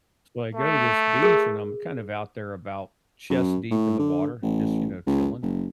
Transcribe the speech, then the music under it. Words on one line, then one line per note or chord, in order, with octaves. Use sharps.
so, I go to this beach, and I'm kind of out there about chest deep in the water just, you know, chilling
A3
G#4 A#4
F#2
A2
D3
A1
C#2
F#1